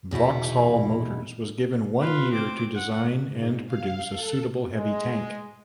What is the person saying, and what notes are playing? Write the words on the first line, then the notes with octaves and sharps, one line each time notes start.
Vauxhall Motors was given one year to design and produce a suitable heavy tank.
E2 B2 D#4 E4
F4 B4
C4 D6
F#5
G#2
F5
A4
G#3